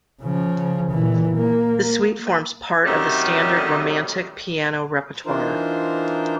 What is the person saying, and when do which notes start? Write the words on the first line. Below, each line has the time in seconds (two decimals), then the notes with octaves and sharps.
The suite forms part of the standard Romantic piano repertoire.
0.22 C#3 F3
0.91 A#2 E3
1.37 A#3
2.86 C3 D#3 F#3 G3 A3 C#4
5.26 E3 D4 D#4 F4 A#4 C5